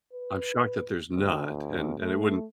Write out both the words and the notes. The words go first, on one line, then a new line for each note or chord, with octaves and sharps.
I'm shocked that there's not, and and it wouldn't
B4
D2
A3